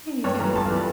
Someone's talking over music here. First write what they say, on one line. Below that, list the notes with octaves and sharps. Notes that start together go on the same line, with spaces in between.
Yeah, you too.
G2 C#5
E3 G3 A#5
G2 A5
F5
E3 G3
A5